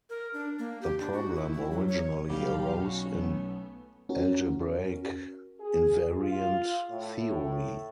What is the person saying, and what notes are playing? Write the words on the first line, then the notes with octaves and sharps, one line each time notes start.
The problem originally arose in algebraic invariant theory.
A#4
D4
A#3
G4
D4
F#4
E4
E4
F#3
C#5
B1 G3 G4 F5
C#4 F#4
A3 B3
C#4 F#4 A#4
G#4
F4
A2